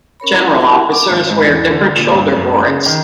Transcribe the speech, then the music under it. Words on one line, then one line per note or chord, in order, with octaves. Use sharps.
General officers wear different shoulder boards.
C#4 A#4 C#5 B5
F#3 E4 D#5 F#5 D6
E4 F#4 G4 A#4 E5 F#5
D6
G#1
G#2
E2
D3
A#2
G2
F#2
C#3
D#3